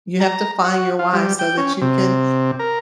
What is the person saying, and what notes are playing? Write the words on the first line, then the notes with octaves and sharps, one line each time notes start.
You have to find your "why" so that you can
A#5
F#4
F4
G3
G5
C#4
C3
A#4